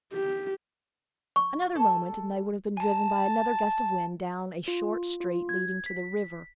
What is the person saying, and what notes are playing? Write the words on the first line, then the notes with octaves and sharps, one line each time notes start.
Another moment, and they would have been driven by another gust of wind down a short street leading to the river.
G4
C#6
A4 G#5 A5
G#5 A5
F4
F4
G#6
B6